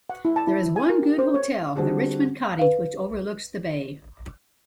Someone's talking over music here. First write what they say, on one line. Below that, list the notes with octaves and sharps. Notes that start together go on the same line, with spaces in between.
There is one good hotel, the Richmond Cottage which overlooks the bay.
F#5
E4
A5
E4
E4
G#5
A#4
G4
C5
C#5
D3 G3 C4 D4 F#4 G#4
B4 F5